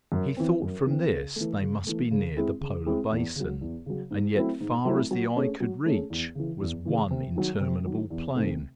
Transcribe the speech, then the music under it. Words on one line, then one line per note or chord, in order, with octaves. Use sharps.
He thought from this they must be near the Polar Basin, and yet far as the eye could reach was one interminable plain.
F#2
E3 C4
F#2
E3 C4
C#3
E3 A3
C#3
E3 A3
C#3
G#3 C4 E4
C#3
G#3 C4 E4
E2
C#3 F#3
E2
C#3 F#3
G#2
F#3 A3 C4 E4
G#2
F#3 A3 C4 E4
F#3
A3 C#4 G#4
F#3
A3 C#4 G#4
E2
C#3 E3
E2
C#3 E3
C3
D#3 F#3
C3
D#3 F#3
E2
C3 D#3 A3 C4